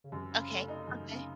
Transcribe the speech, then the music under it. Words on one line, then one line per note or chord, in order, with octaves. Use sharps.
Okay. Okay.
C#3
F#2 C3
C#3
A3
D#4
F#2
C#3